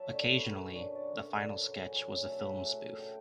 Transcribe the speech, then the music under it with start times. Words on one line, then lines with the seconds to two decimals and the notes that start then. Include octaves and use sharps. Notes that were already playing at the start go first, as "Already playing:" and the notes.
Occasionally, the final sketch was a film spoof.
Already playing: F#3 E5 A5
0.09 D3 C#5
0.24 F#2
0.34 B4
0.39 F#3
0.54 F#2
0.70 D3 C#5
0.85 F#2
0.95 D5
1.01 F#3
1.16 F#2
1.31 D3
1.46 F#2
1.61 F#3
1.76 C#3
1.92 F#3
2.08 C#3
2.23 A3
2.28 E5
2.38 C#3 F#5
2.53 F#3
2.68 C#3
2.84 A3
2.99 C#3 G5